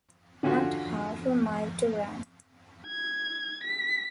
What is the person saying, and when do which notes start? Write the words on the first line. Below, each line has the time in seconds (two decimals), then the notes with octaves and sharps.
Not half a mile to run.
0.43 D3 C#4 F4 F#4
2.87 G#6
3.64 B6